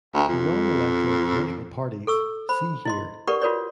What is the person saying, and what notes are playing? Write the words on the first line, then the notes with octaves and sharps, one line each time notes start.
For non-electoral political "parties", see here.
D2
F2
A4 C#6 E6
C5 B5
E4 D#5 C6
G4 A#4 B4 D5 F#5 C#6
F4 F#4 A#4 B4 C#5 D5